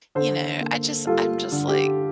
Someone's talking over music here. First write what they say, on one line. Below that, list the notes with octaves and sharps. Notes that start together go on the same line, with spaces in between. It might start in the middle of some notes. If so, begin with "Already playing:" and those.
you know, I just, I'm just, like
D3 A4 C5
A#3
G3 F4 A4
D3
G4